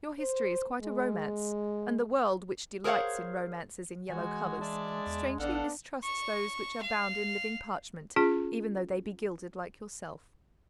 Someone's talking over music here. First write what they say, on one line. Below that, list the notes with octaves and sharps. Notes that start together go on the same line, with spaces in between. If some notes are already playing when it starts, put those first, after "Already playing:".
Your history is quite a romance, and the world, which delights in romances in yellow covers, strangely mistrusts those which are bound in living parchment, even though they be gilded like yourself.
C5
G#3
G#4 A#4 C5 C#5 F5 F#5
E3 G#3 F#4 G#5
D5 E5 A5
E2
A1 B3 D4 A4 F5 F#5
C#6
F5
C#4 F4 G#4